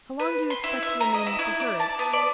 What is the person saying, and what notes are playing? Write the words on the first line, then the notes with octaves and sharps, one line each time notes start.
How long do you expect to remain with the herd?
B4
C6
E4
E5
A#5
D#5
E4
E4
D5
A5
B3
D5